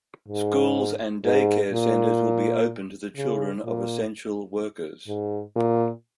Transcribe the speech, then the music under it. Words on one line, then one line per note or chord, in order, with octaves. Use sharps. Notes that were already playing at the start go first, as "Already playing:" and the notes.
Schools and daycare centers will be open to the children of essential workers.
G#2
G#2
A#2
C#3
A#2
G#2
A#2